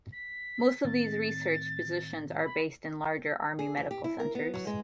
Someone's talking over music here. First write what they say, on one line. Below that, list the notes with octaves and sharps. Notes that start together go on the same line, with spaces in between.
Most of these research Physicians are based in larger Army Medical Centers.
B6
A2 D#3 C4 A6
B5
G#4
E2
G4
E4
A#4
B3
F#3
G#3